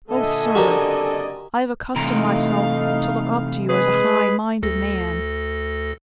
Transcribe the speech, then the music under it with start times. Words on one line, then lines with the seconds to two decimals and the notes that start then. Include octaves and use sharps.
Oh, sir, I have accustomed myself to look up to you as a high-minded man.
0.10 A#2 D3 A4 D#5 E5 G#5
0.55 F#1 C3 F#4 G4 A#4 D5
1.96 C3 E3 A3 D#4 F5 A#5
3.69 G#3 G#4 B4
4.63 D2 A4 A#6